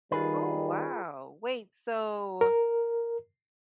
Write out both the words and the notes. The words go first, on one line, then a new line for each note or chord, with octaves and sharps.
Oh, wow, wait, so,
D#3 G3 F4 G#4 B4
A#4